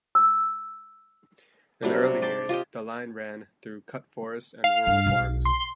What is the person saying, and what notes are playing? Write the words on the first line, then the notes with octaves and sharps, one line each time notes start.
In the early years, the line ran through cut forest and rural farms.
E6
C3 F#3 G3 D4
D5 G5 A5 C6
F4 G4 D#5 G5
F5
G2
B1
C6